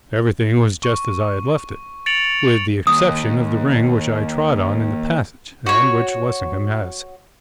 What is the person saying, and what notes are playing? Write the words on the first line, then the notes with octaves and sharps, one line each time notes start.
Everything was just as I had left it, with the exception of the ring which I trod on in the passage, and which Lessingham has.'
C#6
A6 C#7 D7 F7 F#7
D#2 D#6
F#4 C#5